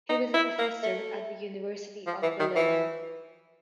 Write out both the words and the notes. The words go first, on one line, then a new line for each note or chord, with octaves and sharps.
He was a professor at the University of Bologna.
D#4
E4
A#3
A3
F3
E3
D#3
E3